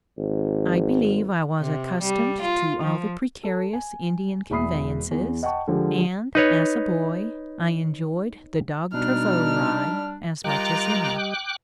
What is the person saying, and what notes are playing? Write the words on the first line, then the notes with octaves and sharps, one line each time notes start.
I believe I was accustomed to all the precarious Indian conveyances, and, as a boy, I enjoyed the dog-travaux ride as much as any.
G#1
C3
G3
F4
F3
A4
G#5
E1 E2 E5 B5 D#6 C7
E2
D#5 F#5 G5 A5 C#6
D3 F3 G#3 G4
D#4 B4 C#5
B2 G3 D4 D#4 F6
G3 F4 A#4 D#5 G5 A#5 D6 F#6